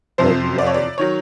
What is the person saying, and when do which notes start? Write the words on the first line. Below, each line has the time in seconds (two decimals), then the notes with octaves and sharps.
their life,
0.18 F2 C3 F3 C5
0.58 D5
0.67 C#5
0.74 D5
0.98 D#3 F#3 C#5